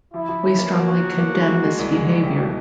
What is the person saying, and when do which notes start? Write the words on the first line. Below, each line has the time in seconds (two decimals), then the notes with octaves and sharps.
We strongly condemn this behaviour.
0.14 F3 E4
0.29 F3
0.43 C#4
0.59 A#3
0.73 A#3 F#4
0.89 A#3
1.04 F3
1.18 A#3
1.34 G#3
1.49 G#3
1.64 G#3
1.79 C2
1.93 G#3 F#4 G#4
2.09 C2
2.23 C2 F4 G4
2.38 B2